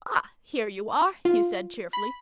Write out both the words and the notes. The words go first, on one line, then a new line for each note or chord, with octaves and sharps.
"Ah, here you are," he said cheerfully.
F4
B5